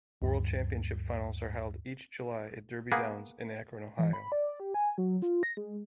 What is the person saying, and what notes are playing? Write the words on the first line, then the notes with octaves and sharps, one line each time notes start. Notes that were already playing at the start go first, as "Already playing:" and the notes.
World Championship finals are held each July at Derby Downs in Akron, Ohio.
D2 G2
A#3 B3 G#4
E3
B5
D5
G4
G#5
F#3
F4
A#6
G#3